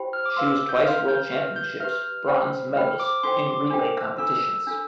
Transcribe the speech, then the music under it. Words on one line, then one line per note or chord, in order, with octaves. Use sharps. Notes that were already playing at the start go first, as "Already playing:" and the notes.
She was twice World Championships bronze medalist in relay competitions.
Already playing: E4 G4 C5 G5 B5
F6
D6
B4 F5 C6 E6
G6
B4 F5 C6 F6
G6
G4 B4 E5 F6
G6
G4 B4 E5 F6
C5 G5 B5
C5 G5 B5 F6
D6
D4 F4 A4 C5 G5 C6
D6
D4 F4 A4 C5 G5
D4 F4 A4 E6
D4 F4 A4